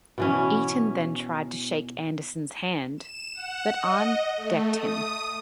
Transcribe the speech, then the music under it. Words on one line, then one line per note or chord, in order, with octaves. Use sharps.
Eaton then tried to shake Anderson's hand, but Arn decked him.
B2 E3 C#4
E7
F#5
D#5
A3
D#6